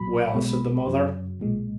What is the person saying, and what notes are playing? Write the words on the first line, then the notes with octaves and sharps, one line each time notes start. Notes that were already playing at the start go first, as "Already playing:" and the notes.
"Well?" said the mother.
Already playing: B1 A#2 F#3 B5
B1 B2 G#3
F#2 C#3 F#3
B1 A#2 G#3